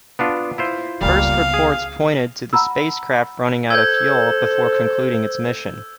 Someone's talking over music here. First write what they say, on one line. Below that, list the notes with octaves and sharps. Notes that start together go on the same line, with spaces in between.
First reports pointed to the spacecraft running out of fuel before concluding its mission.
B3 D4 F4
E4 F4 C5
C#2 A#2 G3 B3 F5
G#4
F#5 A#5 B5 E6
A4 C5 E6 G6 G#6